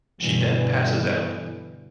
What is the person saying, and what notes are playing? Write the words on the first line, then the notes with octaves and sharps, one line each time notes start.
She then passes out.
G2 B2 D3 E3